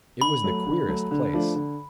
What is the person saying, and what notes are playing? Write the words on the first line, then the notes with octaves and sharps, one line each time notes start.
It was the queerest place!
D3 B5
F#3 A3
D3
F#3 A3
D3
F3 A3 D4
D3